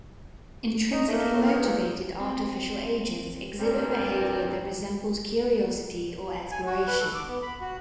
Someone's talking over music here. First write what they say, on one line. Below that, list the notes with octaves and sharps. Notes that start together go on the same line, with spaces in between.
Intrinsically motivated artificial agents exhibit behaviour that resembles curiosity or exploration.
D#4
A3 A#3
A2
E2
C4
G2 A#2 G3 C4 A#4
G#5
F#4
B4
A4
D6
B3
B5
F#4